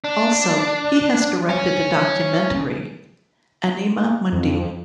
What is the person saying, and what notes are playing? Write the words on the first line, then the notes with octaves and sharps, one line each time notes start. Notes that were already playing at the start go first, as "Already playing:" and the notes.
Also, he has directed a documentary "Anima Mundi".
D4
C#4
F2